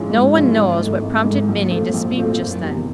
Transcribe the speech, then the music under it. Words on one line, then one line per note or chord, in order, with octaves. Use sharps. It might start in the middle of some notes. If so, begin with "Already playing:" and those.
No one knows what prompted Minnie to speak just then.
Already playing: G#2 F3 G#3 C#4 E4
G#2
F3 G#3 C#4 E4
G#1
G#2 E3 A3
G#1
G#2 E3 A3
A#1
A#2 F3 A3 C4
A#1
A#2 F3 A3 C4
F#1
E2 C3 D#3